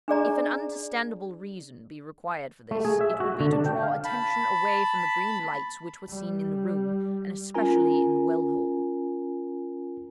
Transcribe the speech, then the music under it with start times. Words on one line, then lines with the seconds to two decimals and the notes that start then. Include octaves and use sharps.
If an understandable reason be required for this, it would be to draw attention away from the green lights which were seen in the room, and especially in the well-hole.
0.08 D4 G#4 D5 A#5
2.71 A3
2.85 G#4
3.01 E5
3.20 F#4
3.40 D3
3.53 D4
3.66 G5
3.82 F5
4.05 A5 B5
6.09 G3
7.54 C#4 F4 A#4 G#5 A#5